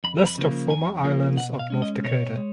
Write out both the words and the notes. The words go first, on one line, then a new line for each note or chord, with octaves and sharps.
List of former islands of North Dakota.
F2 B5
A#5
B5
C#3 F3 A#3
F2 G#5
C#3 F3 A#3
B2 F#5
F5
G#3 C#4
D#5
B2 C#5
G#3